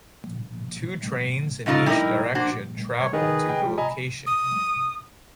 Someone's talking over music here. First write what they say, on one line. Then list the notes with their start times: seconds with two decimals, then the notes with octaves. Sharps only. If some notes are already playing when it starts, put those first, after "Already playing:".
Two trains in each direction travel to the location.
1.66 G#2 C#3 D#4 F4 A4
1.86 G3 D#4 E4 A#4 D#5
2.35 A#3 D4 F#4 C5
3.00 C#5
3.13 D#3 G#4 B4 D#5
3.49 G5
3.62 F3 G3
3.78 D#5 G#5 A#5 B5
4.27 D#6